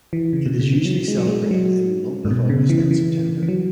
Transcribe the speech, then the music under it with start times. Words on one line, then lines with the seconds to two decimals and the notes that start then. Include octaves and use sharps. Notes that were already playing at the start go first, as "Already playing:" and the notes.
It is usually celebrated in the month of August and September.
0.13 E3
0.33 C#3
0.46 B2
0.59 C#3
0.73 E3
0.85 F#3
1.08 G#3
1.17 F#3
1.27 G#3
1.51 F#3
2.25 G#2
2.31 B2
2.49 C#3
2.70 E3
2.80 C#3
2.91 E3
3.43 E3
3.49 F#3